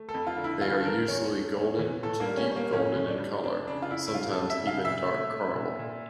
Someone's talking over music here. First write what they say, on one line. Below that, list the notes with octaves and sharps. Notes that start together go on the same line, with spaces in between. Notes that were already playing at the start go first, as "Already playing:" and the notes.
They are usually golden to deep golden in colour, sometimes even dark caramel.
Already playing: A3
A4
F2
F4
D3
E4
E2 F4
A4
E3 A#4
E2 C#5
A3
E2
E3
A2 A4
A#3
G3
C#4
G3 C#4
A#3
A2 C#4
A2
D4
G3
F2 D4
C#3 D4
F4
F2 E4
E4
G3 F4
A4
F2
E5
C#3
F5
A#2 E5
A3
A3
A#2
A#2